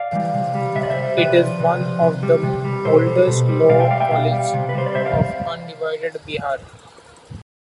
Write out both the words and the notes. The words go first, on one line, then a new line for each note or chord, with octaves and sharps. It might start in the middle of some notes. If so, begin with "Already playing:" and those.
It is one of the oldest law college of undivided Bihar.
Already playing: D5 F5
E3 G3
C3
G3
C3 E5
D5
C5 E5
G3
C3 B4 D5
F3
C3
F3
C3
G3
C3
G3
B2 A4 C5
G3
B2
G3
B2 D5 F5
E5 G5
G3 D5 F5
E5 G5
B2 D5 F5
G3
C3
B4
G3 C5
D5
C3 C5 E5
D5 F5